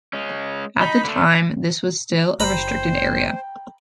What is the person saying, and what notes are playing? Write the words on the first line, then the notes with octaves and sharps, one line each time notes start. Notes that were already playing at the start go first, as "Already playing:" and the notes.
At the time this was still a restricted area.
G#3 C#4
D#4 B5
D3 A3
F#1 C5 G5 A#5 B5